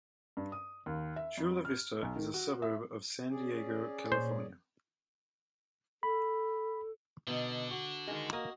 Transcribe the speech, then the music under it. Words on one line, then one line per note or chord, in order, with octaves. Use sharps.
Chula Vista is a suburb of San Diego California.
G2
D#6
D#2
E5
F2
F6
B1
D#3
F#4
E5
C#4 G#4 D5
A#2 C5 C#5
A4 B5
B2 D3 D#4
F#4
D#3 G#3
A#3 F#4 D#5